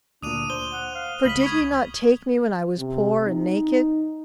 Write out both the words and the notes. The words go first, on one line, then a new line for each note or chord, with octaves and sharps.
For did he not take me when I was poor and naked?
D2 A#2 D4 D#6 D#7 F7
C5 G7
F#5
F5
C#2 B5 B6 F#7
C#6 D#6 G#6
C3
D#4